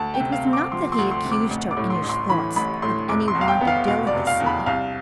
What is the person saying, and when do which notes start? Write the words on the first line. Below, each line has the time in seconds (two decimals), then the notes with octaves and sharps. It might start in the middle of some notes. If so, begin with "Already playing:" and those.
It was not that he accused her in his thoughts of any want of delicacy.
Already playing: D2 A5
0.14 G5
0.20 C3
0.32 F5
0.46 C4
0.53 D6
0.72 F3 C6
0.92 C6
0.98 D2
1.11 C6
1.25 C3
1.31 D6
1.50 A1
1.71 D6
1.77 A2
1.90 C6
2.03 A1
2.09 C6
2.29 E3 B5
2.56 A1 B5
2.82 A2 C6
3.09 F1 D6
3.28 C6
3.35 E2
3.41 F5
3.48 G5
3.61 B3
3.67 F5
3.87 B2 F5
4.07 D5
4.14 F1
4.27 F5
4.40 E2
4.46 B5
4.66 C2 F5